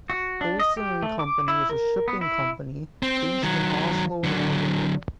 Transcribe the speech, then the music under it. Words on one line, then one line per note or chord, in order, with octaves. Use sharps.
Olsen and Company is a shipping company based in Oslo, Norway.
F#4
D4
D#5
G4
A3
D6
E4
A#4
B3
E4
C4
D#3 F#3
D3 F#3